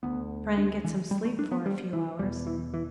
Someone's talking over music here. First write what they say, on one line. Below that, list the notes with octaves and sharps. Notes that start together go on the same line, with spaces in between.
Try and get some sleep for a few hours.
D2 D3 B3
D4
E3
G3
A3
D4
B3
G3
E3
E2 B2 G3
E3
E3